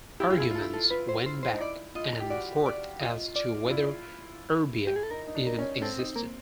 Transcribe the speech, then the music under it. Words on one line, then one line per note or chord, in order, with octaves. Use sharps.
Arguments went back and forth as to whether erbia even existed.
E4 G4
F4 G4
E4 G#4
F4
A4
E4
A4
F4 B4
C5
C5
C5
D#4
E4 D5
F4 D#5
G4
F#4 D5
D5
F4 D#5
D5
F4
E4
G4
G#4
A4
D#4 A#4
D#4
D4
A#4
C#4
C4 A4
D#4
A#3